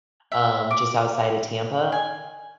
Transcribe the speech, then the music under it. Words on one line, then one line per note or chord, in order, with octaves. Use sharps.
um, just outside of Tampa,
E5
D6
G#5